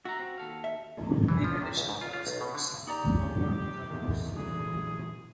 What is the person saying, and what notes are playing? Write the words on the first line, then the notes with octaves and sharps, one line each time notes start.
In addition he also made some of the cover of the albums.
F#4 E5 A#5
C4
D#2 A4 F5
E5
E3
F3
C3
C#2
G#2
F4
F4
B1
B2
D3
D#4 G4 D5 A#5
E2 D#3
A#2 D3 E3 F#3 G#4